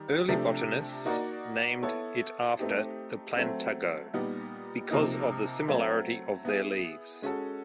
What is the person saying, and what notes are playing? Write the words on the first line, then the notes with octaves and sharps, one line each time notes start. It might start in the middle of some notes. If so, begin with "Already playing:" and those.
Early botanists named it after the "Plantago" because of the similarity of their leaves.
Already playing: D#3 G3
C3 F3 A3 D4 G4
A#3 D#4 F#4 A#4 D5
B3 E4 A4 C#5
A3 C4 D#4 G4
F#3 A3 C4
A#2 G3 B3 D#4
C3 F3 A#3 D#4
F#3 A3 C4
B3 E4 G#4
G#3 C#4 F#4 A4